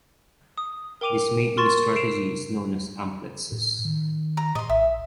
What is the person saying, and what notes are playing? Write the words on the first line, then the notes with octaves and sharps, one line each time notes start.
This mating strategy is known as amplexus.
D#6
A#4 G5 D6 D#7 F7
A#4 C6 C#6 A6 E7
C7 D7 E7 F7
A2
D#3
A#5
A2 D#5 C6
A#1 E5